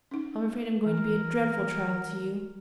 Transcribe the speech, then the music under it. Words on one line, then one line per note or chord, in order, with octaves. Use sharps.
I'm afraid I'm going to be a dreadful trial to you.
C#4 D#4
E3 A#4